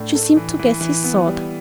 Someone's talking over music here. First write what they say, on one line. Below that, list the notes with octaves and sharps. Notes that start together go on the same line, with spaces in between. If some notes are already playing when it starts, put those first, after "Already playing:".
She seemed to guess his thought.
Already playing: A2 D4
A3
E3
E3
E3
B3
G3